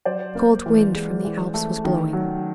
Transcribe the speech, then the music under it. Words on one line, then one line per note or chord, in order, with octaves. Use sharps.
A cold wind from the Alps was blowing.
F#3 C5 D5
A#3
E3
G#3
E3
A3
D#3
F#3